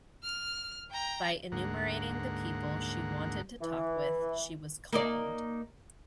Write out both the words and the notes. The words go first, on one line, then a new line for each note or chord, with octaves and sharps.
By enumerating the people she wanted to talk with, she was calmed.
F6
G5 A#5
D2 G#2 A#3 F#5
E3
A#3 D#4 D5